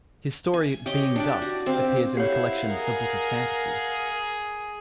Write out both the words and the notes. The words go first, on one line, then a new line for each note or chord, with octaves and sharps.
His story "Being Dust" appears in the collection The Book of Fantasy.
G#5
G4 C#5 D#5
D4 G4 D5
F#4
C4 G4 F5
E4 G4 C#5 F5 F#5
G#4 A#4